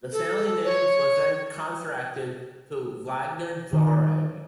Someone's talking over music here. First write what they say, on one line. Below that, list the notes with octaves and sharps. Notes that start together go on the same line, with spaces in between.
The family name was then contracted to "Wagner-Jauregg".
A4
C#5
D#3